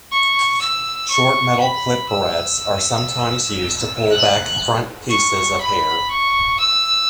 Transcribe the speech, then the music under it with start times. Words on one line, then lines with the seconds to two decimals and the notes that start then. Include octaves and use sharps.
Short metal "clip" barrettes are sometimes used to pull back front pieces of hair.
0.12 C#6
0.62 E6
1.11 C#6
1.61 B5
2.11 E6
4.11 F#6
5.10 C#6
5.61 B5
6.11 C#6
6.60 E6